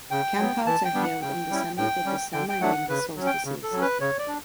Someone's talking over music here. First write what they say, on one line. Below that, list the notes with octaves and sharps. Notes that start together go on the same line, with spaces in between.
Campouts are held on the summit at the summer and winter solstices.
C#3 G5
F#3 B3
E3 A5
G5
G3 B3 D4
F#5
C#3 G5
G3 C#4 E4
A2 G5
G3 C#4
D3 G5
G5
F#3 A3 D4 F#5
C#3 B4
F#3 C#4
G5
C#3
A4
F#3 C#4
B4
C#3 C#5
D5
D4